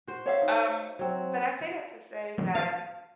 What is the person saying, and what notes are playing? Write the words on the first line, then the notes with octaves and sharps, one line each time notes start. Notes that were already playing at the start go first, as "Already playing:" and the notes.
Um, but I say that to say that
F#4 C5
C#5 E5 F5
D#4
F#3 C4
F5